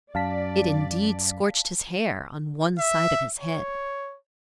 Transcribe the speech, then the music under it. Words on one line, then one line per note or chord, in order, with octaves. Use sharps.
It, indeed, scorched his hair on one side of his head.
F#2 D5 F5 A5 B6
E5
C#5